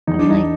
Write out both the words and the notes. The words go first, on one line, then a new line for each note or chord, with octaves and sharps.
I'm like,
E2 D#4
D4
D#4